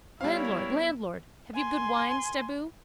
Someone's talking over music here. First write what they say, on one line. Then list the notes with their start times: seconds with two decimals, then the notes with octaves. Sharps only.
Landlord, landlord, have you good wine, staboo?
0.21 G3 B3 D4 E4 A#4 C#5 F5
1.55 G#5 C6